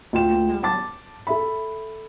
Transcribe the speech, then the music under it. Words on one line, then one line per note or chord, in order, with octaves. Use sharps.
I know.
D2 F4 G5 E7
A5 D6 A6
A4 E5 B5